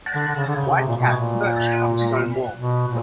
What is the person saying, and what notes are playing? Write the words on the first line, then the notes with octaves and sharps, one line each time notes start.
White cat perched on a stone wall.
D3
D3
C#3
D3
C#3
C#3
C3
A#2
B2
A#2
B2
A#2